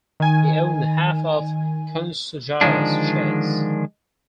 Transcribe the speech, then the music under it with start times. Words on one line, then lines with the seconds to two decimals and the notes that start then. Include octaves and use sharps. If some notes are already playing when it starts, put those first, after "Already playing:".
He owned half of Konsojaya's shares.
0.20 D#3 G#5
2.61 D3 D#3 F3 G#3 D4